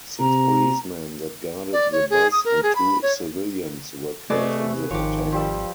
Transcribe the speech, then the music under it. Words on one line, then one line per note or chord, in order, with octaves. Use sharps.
Six policemen that guarded the bus and two civilians were killed in the attack.
C3 A#5
D5
C#5
G#4
D#6
A#4
G#4
B5
C#5
C3 A3 G#4 B4 C5 D5 D#5 C#6
G#1 D#3 F3 G4 C#5
F3 G3 E6